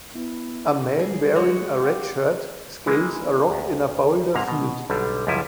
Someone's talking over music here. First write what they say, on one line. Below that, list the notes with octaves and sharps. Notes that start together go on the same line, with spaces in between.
A man wearing a red shirt scales a rock in a boulder field.
B3 E4
G3 C#4 G#4
G#3 F#4 C#5
G4 F5 F#5
E3 G#3 A#3
D2
G#2 C3 A#3 A#5
B2
B1 D3 G3
C#2 F#2 F3 G3 E4 G#5